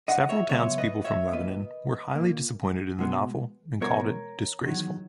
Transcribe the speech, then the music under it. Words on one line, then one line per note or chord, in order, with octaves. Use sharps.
Several townspeople from Lebanon were highly disappointed in the novel and called it disgraceful.
D#5 F#5
C#5 E5
F#2 C#3 G#3 B3 C#5 E5
B4 D#5
C#5 E5
A#2 A#3 B4 D#5
A#2 A#3
B2 G#3 B3
E2 B2 G#3 B3 A#4 C#5
E2 D#3 F#3